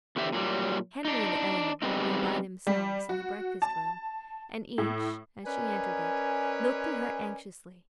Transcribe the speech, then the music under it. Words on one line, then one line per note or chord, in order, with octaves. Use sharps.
Henry and Eleanor were by themselves in the breakfast-room; and each, as she entered it, looked at her anxiously.
E2 D3 G4 E5
A#2 F#3 G3
D4 D#4
G3 G#3 B3 C4 D#4
G3
F#4
A5
A2
C#4 A#4 B4 D5 D#5 G#5